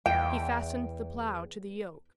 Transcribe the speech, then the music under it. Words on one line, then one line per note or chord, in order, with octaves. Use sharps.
He fastened the plow to the yoke.
E2 G5